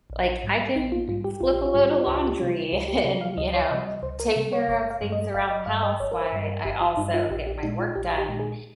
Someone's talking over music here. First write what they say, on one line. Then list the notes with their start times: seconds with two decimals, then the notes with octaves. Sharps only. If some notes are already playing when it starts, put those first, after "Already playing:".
like, I can flip a load of laundry and, you know, take care of things around the house while I also get my work done," and
0.10 A#1
0.43 G#2 G3
0.76 A#1 D#4
0.92 F4
1.08 G#2 G3 F4
1.24 G4
1.41 A#1 F4
1.53 G4
1.66 F4
1.74 G#2 G3 G4
1.90 F4
2.03 C#2 G4
2.15 F4
2.27 G4
2.40 C3 G3 F4
2.72 C#2 G4
2.88 G4
3.04 C3 G#4
3.08 G3
3.21 F5
3.37 C#2 D#5
3.54 C#5
3.71 C3 G3 D#5
3.87 D#5
4.02 C#2 C5
4.20 A#4
4.36 C3 G3
4.53 C#5
4.68 G1 C#5
4.90 F5
5.01 G2 G3
5.12 D#5
5.34 G1 F5
5.51 D#5
5.66 G2 G3 F5
5.83 D#5
6.00 G1 C#5
6.12 A#4
6.21 C5
6.32 G2 G3
6.43 A#4
6.65 G1 G4
6.81 F4
6.97 G2 G3 D#4
7.14 F4
7.30 A#1 G4
7.47 G4
7.63 A#2 G#3 D#4
7.79 F4
7.96 A#1 G4
8.18 G4
8.29 A#2 G#3
8.40 G#4